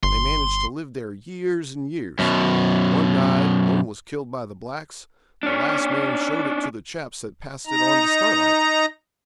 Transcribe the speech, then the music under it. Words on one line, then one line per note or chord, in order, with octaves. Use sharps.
They managed to live there years and years; one died, one was killed by the blacks; the last man showed it to the chaps that passed it on to Starlight.
G1 C6
F#2 B2
C#4 D4
D#4 A#5